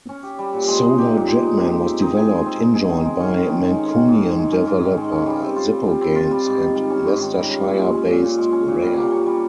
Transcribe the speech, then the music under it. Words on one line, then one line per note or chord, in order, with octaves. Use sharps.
"Solar Jetman" was developed in-joint by Mancunian developer Zippo Games and Leicestershire-based Rare.
C#4
G4
G3
A#2
G#3
D#4
G4
A#2
G#3
D#4
G4
G#3
C4
D#4
G#4
G#3
C4
D#4
G#4
D#3
G#3
C#4
D#3
D#3
G#3
C#4
D#3
G#2
D#3
G#3
C#4
G#2
D#3
G#3
C#4
G3
C4
F4
G3
G3
C4
F4
G3
G#2
D#3
G3
C#4
G#2
D#3
G3
C#4
A#2
G#3
C#4
A#2
A#2
G#3
C#4
A#2
G3
A#3
C#4
G3